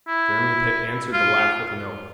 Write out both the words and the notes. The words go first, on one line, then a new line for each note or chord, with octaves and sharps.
Jeremy Pitt answered the laugh with an oath.
E4
F4